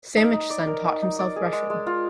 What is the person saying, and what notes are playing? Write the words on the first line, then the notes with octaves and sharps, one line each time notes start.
Samachson taught himself Russian.
D#4
D#4
D5
A#4
D#4
D#4
D5
G#4
G#3
G#3
F4